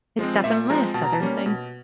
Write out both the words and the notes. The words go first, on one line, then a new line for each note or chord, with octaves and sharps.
It's definitely a Southern thing.
F3 G#3 C4
A#2 E5
F3 G#3 C4 A#5
B2 A5
A#5
A5
G3 A#3 C#4
B2